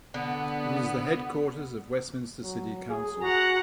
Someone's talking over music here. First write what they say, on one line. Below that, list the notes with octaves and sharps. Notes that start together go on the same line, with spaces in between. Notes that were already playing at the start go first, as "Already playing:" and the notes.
It is the headquarters of Westminster City Council.
D3 B3
F#3
G#4
F#4 F#5 A#5